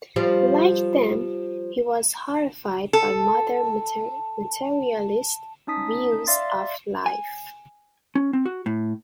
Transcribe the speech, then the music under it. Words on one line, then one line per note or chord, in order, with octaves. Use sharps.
Like them, he was horrified by modern materialist views of life.
F3 G3
A4 A5
C#4 D#4 A5 D#6 B6
D5 E5 F5 C6 A6
G#5
C#4
C4
F#4
A2